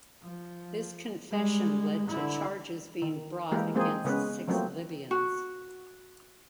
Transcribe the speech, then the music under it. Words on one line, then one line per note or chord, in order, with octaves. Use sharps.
This confession led to charges being brought against six Libyans.
F3
G3 G#3
D3 E4
D#3
E3 G#3 A#3 E4 G4 A#4
F3 G#3 A#3 C4 G#4 C5
C#3 G#3 B3 C#4 B4
F3 F#3 A3 A#3 C4
F#4